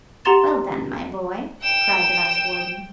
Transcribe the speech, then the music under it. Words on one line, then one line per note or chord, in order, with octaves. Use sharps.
"Well done, my boy!" cried the Vice-Warden.
G4 F#5 A#5 C6 A6 E7
G5 E7